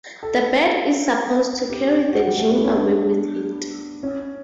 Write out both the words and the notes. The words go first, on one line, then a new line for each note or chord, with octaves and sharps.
The bird is supposed to carry the jinn away with it.
A4
G4
G4
F#4
G3
A3
B3
C#4
D4
C#4